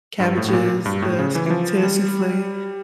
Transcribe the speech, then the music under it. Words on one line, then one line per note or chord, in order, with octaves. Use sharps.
cabbages, the sweet potato soufflé.
G2
A2
A2
A#2
G2
A2
C#3
E3
E3
F3
G3